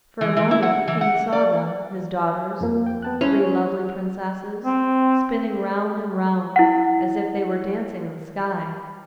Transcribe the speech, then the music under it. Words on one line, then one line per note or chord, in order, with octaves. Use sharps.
For a moment the King saw them, his daughters, the three lovely princesses, spinning round and round, as if they were dancing in the sky.
E3
E3
E4
F#5
E3
F#5
D5
F2 F3 A#3
G5
B3 A5 F#6
C#4 E4 C5
C4
E4 F#5